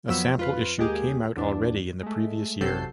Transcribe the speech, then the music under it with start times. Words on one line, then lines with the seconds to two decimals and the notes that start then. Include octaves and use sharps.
A sample issue came out already in the previous year.
0.08 F2 F3 F#3 B3 E6 B6
0.37 F2 F4 B4
0.78 D#2 G#3 A#3 G4 G#4
1.37 E2 D4
2.03 G#3 A3
2.60 G#1 C3 F#3 A4 G6 C7